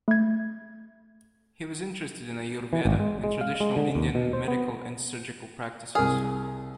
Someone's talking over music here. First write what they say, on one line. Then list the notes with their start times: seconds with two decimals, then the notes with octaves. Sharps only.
He was interested in Ayurveda and traditional Indian medical and surgical practices.
0.08 A3 G#6
2.73 E3
2.85 G#1
3.00 G#3
3.24 G#3
3.41 F5
3.60 G#3
3.76 D3
3.95 D#2
4.15 B2
4.33 C5
4.48 B3
5.95 C2 G#4 A#4 F6